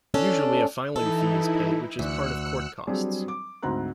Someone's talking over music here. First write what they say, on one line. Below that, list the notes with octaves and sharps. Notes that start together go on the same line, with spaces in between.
Usually a filing fee is paid which is part of court costs.
C#4 D4 A4
E3 D#4 E4 A4
D2 E6 F#6 C#7
F#3 G3 C4 D4 G#4
D6
D2 G#2 C4 A#5 C6 F#6